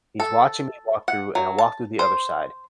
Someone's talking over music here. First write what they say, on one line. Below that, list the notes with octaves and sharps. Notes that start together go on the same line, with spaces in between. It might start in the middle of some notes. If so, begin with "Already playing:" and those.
he's watching me walk through, and I walk through the other side,
A4
F#5
F#3
A5
C5